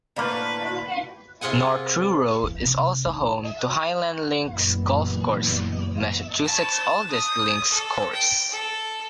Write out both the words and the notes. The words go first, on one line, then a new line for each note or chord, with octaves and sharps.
North Truro is also home to Highland Links Golf Course, Massachusetts's oldest links course.
A2 D3 A#3 B4 C5 B5
C3 F4 G#4 F#5 G#5
E3
C3
D#3
F#1 F#2 A#2 E3 G3 B3
A5
D#6
A4
G5
A4